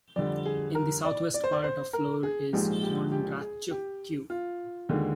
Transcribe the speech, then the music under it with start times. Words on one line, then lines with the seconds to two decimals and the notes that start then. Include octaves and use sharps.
In the southwest part of the floor is Kondratyuk Q.
0.16 F2 D3 G3 D5
0.46 G#4
0.75 A#4
1.05 D5
1.34 D5
1.44 C5
1.53 D5
1.64 C5
1.93 A#4
2.23 G#4
2.53 A#1 G#2 F3 G#3 G4
2.83 G4
3.12 G4
3.41 G#4
3.71 G4
4.30 F4
4.89 D#2 D3 G#3